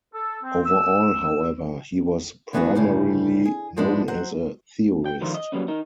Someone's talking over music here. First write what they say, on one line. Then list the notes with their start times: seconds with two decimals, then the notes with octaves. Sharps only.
Overall, however, he was primarily known as a theorist.
0.13 A4
0.43 C4
0.65 E6
2.53 D2 E3 B3 D4 F4 F#4
2.75 D2 A2 C#3 G3
3.45 G#4
3.76 A2 F3 G#3 B3 D4
4.08 F#3 C5 F#5
5.06 G5
5.21 D3 D#3 F3 A#4 C5
5.34 D#5
5.52 F#3 G3 A#3 B3 C#4
5.68 D#4 A#4